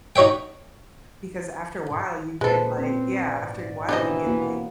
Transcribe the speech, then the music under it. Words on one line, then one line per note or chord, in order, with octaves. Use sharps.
because after a while you get like Yeah, after a while you get like
D#4 F#4 C#5 E5 G5
A#2 G#3 A4 B4 C5
C4 C#4
G#2 F#4 D5
D#2 B2 E3 D4 C5 D#5
A#3 F#4